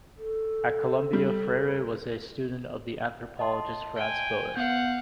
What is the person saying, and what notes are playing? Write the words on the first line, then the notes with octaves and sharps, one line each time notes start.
At Columbia Freyre was a student of the anthropologist Franz Boas.
A4
G3
D#5 A5 C6
G5 G#5
B3 F5 F#5 G6